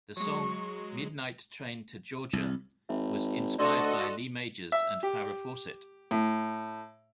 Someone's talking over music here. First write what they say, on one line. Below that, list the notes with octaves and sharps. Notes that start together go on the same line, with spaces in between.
The song "Midnight Train to Georgia" was inspired by Lee Majors and Farrah Fawcett.
F#3 G#3 C#6
C2
G#1 E5
D2 F#4 A4 D5 D#5 C6
E5
G4
A2